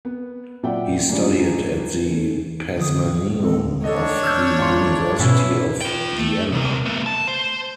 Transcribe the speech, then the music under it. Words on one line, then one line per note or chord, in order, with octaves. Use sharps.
He studied at the Pazmaneum of the University of Vienna.
B3
A#2 F#3 D5 E5 F#5 G5
F#2 A2 C#3 G3 D4 F4
C#3 A3
D3 F3 D#6
A2
G#3 C4 A4
D4 A4 C#5 D#5
E6 F6 G6
G#1 C6
G#2 B2 B3 C#4 E4
F4 G5
A3
C3 A#4
A3 B3
A5
C5